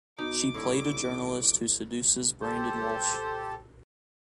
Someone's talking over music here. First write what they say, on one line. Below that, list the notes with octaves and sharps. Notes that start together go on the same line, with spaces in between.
She played a journalist who seduces Brandon Walsh.
B2 D#4 D6
D#1 A2 G3 E4
G4 A4 C5